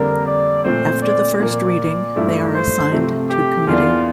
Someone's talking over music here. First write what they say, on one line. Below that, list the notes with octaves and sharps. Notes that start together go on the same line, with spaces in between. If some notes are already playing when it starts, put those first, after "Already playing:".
After the first reading, they are assigned to committee.
Already playing: F2 D3 G3 A#3 D4 A#4
D5
A#2 F3 A3 C4 C5
D5
A#2 F3 A#3 D5
G2 F3 A3 E4
C5
C3 F3 A3 C4
G4
E2 E3 A#3 D4 F4